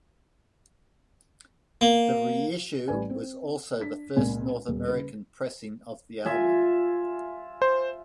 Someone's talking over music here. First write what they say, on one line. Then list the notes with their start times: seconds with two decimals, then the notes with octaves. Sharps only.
The reissue was also the first North American pressing of the album.
1.81 A#3
2.88 A1 G3 B4 D5 G#5
3.10 C4
3.80 D4 B6
4.16 C#2 A#2 G#5
4.68 D#1
4.88 C#3 B4
6.25 F4 E5 G#5
7.62 C5